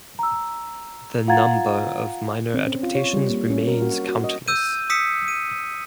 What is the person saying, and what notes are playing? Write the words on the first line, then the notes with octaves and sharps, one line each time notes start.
The number of minor adaptations remains countless.
A#5 E6
F4 F5 F#5 A#5 G#6 A6
C4
C#4
F4
C#5
G3
A#3
C#4
A#4
F#4
F#4
D#5
E6 G6 D#7
D#6 E6 B6 C#7 E7
D#7